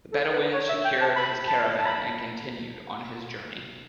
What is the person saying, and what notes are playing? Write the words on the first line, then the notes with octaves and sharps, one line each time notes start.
The Bedouin secured his caravan and continued on his journey.
A4
B4
C#5
E5
G5
A5
B5
A5
A5
B5